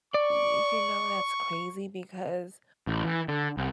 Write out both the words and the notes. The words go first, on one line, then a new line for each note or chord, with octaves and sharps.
Y you know, that's crazy because
D5 C#6
A1
E3
D3
C2